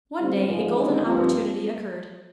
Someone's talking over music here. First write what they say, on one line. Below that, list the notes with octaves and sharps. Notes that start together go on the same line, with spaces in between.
One day a golden opportunity occurred.
D3 G3 C4
G#2 F3 G#3
D#2 D3 G#3 C4 D#4
G2 F3 C4 F4